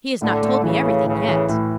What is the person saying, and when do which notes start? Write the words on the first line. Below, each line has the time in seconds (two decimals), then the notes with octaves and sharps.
He has not told me everything yet.
0.22 A2 D3
0.42 A3
0.64 C#3 E3
0.85 A3
1.06 A2 C#3
1.28 E3
1.49 A2